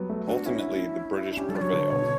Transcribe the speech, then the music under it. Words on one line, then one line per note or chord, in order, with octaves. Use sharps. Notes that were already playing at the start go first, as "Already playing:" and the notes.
Ultimately, the British prevailed.
Already playing: F#3 G3 B3
A3
D4 F#4
C#4 E4
D4
C#4 G4
G3 A4
D5
F#3 C#5
D3
B2
D3